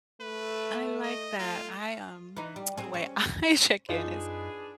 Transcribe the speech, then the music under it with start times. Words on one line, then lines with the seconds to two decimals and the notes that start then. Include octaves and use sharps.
I like that. I, um the way I check-in is
0.20 A3 B4
1.03 D#5
1.39 A3 F4
2.37 E3 D#4
2.56 G3
2.77 C4 G#4
2.94 C#4
3.89 F#2 D4 D#4 F4 G#4 B4